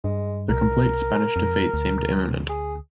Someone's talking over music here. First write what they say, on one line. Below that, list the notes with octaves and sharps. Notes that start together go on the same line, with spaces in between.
The complete Spanish defeat seemed imminent.
G2 G#3
C2 A#4
F2
D2
G#4